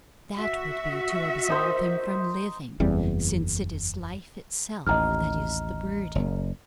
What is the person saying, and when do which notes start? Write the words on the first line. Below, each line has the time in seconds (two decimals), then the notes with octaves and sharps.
That would be to absolve him from living, since it is life itself that is the burden.
0.36 F#4 E5
1.50 D#4 C5
2.80 F#1 E2 G3 C4
4.87 A1 D#2 D#5 A#5 F6
6.15 F#1